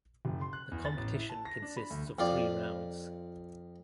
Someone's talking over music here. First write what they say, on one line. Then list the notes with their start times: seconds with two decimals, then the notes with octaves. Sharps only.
The competition consists of three rounds.
0.25 F#1
0.41 C6
0.53 F#6
0.71 E2
0.85 A6
0.97 A1
1.14 E4
1.30 A5
1.45 A#6
1.62 D4
1.77 B5
1.90 D2
2.19 F2 F4 D5